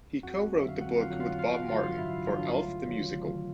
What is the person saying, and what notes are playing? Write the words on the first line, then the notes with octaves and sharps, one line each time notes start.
He co-wrote the book, with Bob Martin, for "Elf the Musical".
F2 F#4 F#5
D3 F#3 E5
F5
F2 F#4 F#5
F4 F5
D3 F#3 F#5
F4 F5
A1 F4 F5
F#4 F#5
G2 D3 F#3 F4 F5
F4 F5
A1 E4 E5
G2 D3 F#3 F4 F5
D2
C3 D#3 F#3
D2